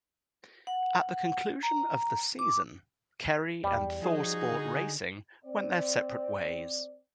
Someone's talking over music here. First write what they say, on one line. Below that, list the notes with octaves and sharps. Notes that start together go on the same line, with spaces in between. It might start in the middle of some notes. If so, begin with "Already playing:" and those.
At the conclusion of the season, Kerry and ThorSport Racing went their separate ways.
F#5
A#5
D6
E2 G3
F3 D#4 F#4 G#4
D3
C4 D5